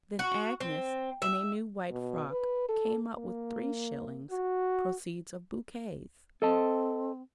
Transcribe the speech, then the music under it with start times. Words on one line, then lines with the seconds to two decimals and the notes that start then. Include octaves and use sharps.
Then Agnes, in a new white frock, came up with three shillings, proceeds of bouquets.
0.19 F#4
0.60 C4
1.22 E5
1.90 B2
2.31 B4
2.68 A4
3.18 A#3
4.31 F#4
6.42 C4 A4 D#5 A5